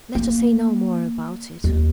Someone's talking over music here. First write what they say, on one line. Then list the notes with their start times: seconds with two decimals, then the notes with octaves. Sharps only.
Let us say no more about it.
0.15 A#3
1.64 D#2